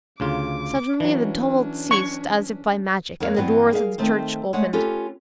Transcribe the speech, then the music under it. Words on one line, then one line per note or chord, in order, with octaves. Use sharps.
Suddenly the tumult ceased, as if by magic, and the doors of the church opened.
D2 C#3 F4 D6
E3 F#3 C#4 D4
C#6
F2 A#3 A#4 C#5 F5
G2 E3 B3 C4
G#4 A#4 E5 F5
D#3 A3 C4 C5
G#3 A3 C#5 F#5
C#4 F4 G4 A4 B4